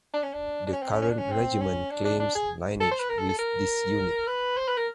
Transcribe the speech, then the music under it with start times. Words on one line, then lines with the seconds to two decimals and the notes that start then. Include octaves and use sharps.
The current regiment claims lineage with this unit.
0.13 D4
0.23 C#4
0.33 D4
0.67 D4
0.72 C#4
0.82 C4
0.91 C#4
1.02 C#4
1.10 D4
1.18 C#4
1.32 C4
1.61 C#4
1.91 D4
2.05 D4
2.20 D4
2.35 G#4
2.80 A4
2.91 C5
3.00 B4
3.09 A#4
3.18 A4
3.29 A4
3.39 A#4
4.27 B4
4.57 C5
4.68 B4
4.77 A#4